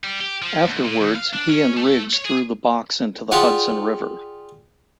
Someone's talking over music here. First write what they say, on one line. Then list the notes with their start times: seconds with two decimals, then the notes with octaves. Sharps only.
Afterwards, he and Riggs threw the box into the Hudson River.
0.04 G3
0.21 G4
0.42 F3
0.65 D2
0.85 A#2
1.01 D#2
1.16 F5
1.34 D4
1.50 C#4
1.77 A3
2.13 C#5
2.25 G#4
3.32 F4 G4 G#4 D5 F#5